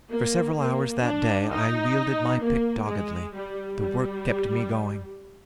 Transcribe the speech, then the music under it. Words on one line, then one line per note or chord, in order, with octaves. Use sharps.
For several hours that day, I wielded my pick doggedly. The work kept me going.
A#3
A#3
D4
D#4
A#3
G#3
G3
G3